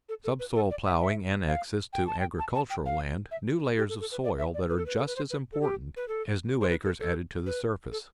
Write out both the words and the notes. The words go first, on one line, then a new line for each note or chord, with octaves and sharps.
Subsoil ploughing annexes to agricultural land new layers of soil that are just as important as new acres added to the surface.
A4
A4
B4
A4
D5
E5
E5
F5
G5
A5
G5
A5
A5
G5
F5
E5
G4
A4
A4
B4
D5
E5
D5
B4
A4
B4
A4
B4
C5
B4
A4
G4
B4
A4
C5
B4
A4
A4
B4
A4